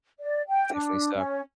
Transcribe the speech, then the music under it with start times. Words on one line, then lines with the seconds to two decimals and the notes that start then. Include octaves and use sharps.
Definitely suck.
0.19 D5
0.48 G5
0.73 D4
1.15 C#4